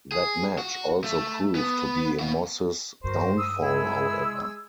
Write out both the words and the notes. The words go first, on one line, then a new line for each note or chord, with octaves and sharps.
That match also proved to be Moss's downfall, however.
G#4
F#4
A3
B3
B3 F#4
G2 D3 F#4 A#4 C5
D#6 E6
G#3 E4 G#4 E6